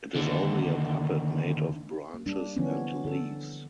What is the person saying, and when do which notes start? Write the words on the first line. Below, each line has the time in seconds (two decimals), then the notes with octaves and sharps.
It is only a puppet made of branches and leaves.
0.15 D#2 D3
2.14 A#3
2.26 G3 D4
2.56 D3 E3 F3 B3 C#4 D4
3.05 D3 A4